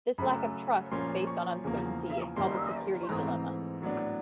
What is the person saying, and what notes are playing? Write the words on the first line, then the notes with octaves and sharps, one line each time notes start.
This lack of trust, based on uncertainty, is called the security dilemma.
F#2 C#3 F#3 A3 B5
A#2 F3 A#3 C#4 C6
C#6
E2 C#3 F3 A#3
F#2 D#3 G3 A#3 C6
G#2 E3 A3 C4 A#5
A2 F#3 B3 D4